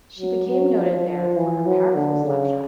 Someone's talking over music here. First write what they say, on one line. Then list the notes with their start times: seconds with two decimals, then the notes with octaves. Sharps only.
She became noted there for her powerful slapshot.
0.19 F#3
0.47 F#3
0.78 F3
1.07 F3
1.36 E3
1.66 F#3
1.95 D3
2.24 C#3